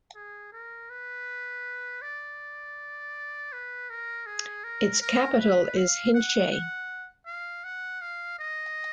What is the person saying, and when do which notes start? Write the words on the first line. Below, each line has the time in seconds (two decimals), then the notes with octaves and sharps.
Its capital is Hinche.
0.15 G#4
0.53 A#4
0.90 B4
2.02 D5
3.52 B4
3.90 A#4
4.27 G#4
4.64 A#4
5.01 A#4
5.39 B4
5.77 F5
6.14 F#5
6.52 F#5
7.26 F5
7.64 F#5
8.01 F5
8.39 D#5